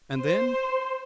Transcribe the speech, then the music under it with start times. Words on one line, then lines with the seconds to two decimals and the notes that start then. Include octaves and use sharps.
"And then?"
0.18 C5